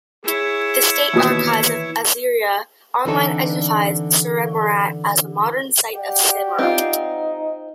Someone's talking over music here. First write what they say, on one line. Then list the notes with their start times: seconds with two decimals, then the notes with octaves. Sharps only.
The State Archives of Assyria Online identifies "Surimarrat" as the modern site of Samarra.
0.25 E4 G#4 C#5
1.14 D#2 B2 E3 D#6
3.05 D3 E3 C4 D4 D#4 A4
5.95 G4 D5 F#5
6.58 C4 D#4 F4